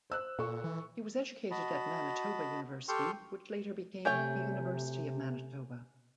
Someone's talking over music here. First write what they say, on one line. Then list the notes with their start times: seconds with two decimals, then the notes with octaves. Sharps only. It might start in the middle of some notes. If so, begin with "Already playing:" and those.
He was educated at Manitoba University, which later became the University of Manitoba.
0.10 C5 E6 F#6
0.39 A#2 A4 C#6
0.64 E3
1.51 F#4 D#5 A5 B5
2.88 G4 A4 G5 C6 C#6 F6
4.05 C3 A3 C#5 G5 G#5 G6